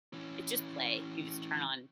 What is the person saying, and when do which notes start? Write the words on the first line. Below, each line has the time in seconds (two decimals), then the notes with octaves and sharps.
it's just play. You just turn on
0.13 E3 C#4